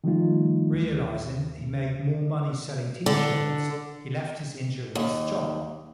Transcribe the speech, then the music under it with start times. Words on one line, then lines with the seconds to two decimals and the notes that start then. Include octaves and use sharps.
Realizing he made more money selling T-shirts, he left his insurance job.
0.04 D#3 F3 G3 A3 D#4 F4
0.73 D#2
3.06 D3
4.95 D#2